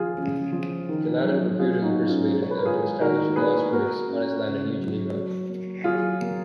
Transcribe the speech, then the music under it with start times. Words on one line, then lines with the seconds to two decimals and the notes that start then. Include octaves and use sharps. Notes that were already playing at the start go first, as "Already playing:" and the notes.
Gallatin reputedly persuaded them to establish a glassworks on his land in New Geneva.
Already playing: F3 F4 G#4
0.17 C#3
0.52 F3
0.89 D#3
1.24 F#3
1.59 F#3 F4 G#4
1.82 D#4 F#4
1.95 B3
2.07 C#4 F4
2.31 B2
2.42 C#5
2.51 B4
2.58 A#4
2.66 G#3 F4 G#4
3.00 D#3 F#4 A#4
3.36 A#3 G#4 B4
3.72 A#3 F#4 A#4
4.07 C#4
4.43 C#3
4.78 F#3
5.14 F#3
5.49 A#3
5.84 F#3 F4 G#4
6.21 A#3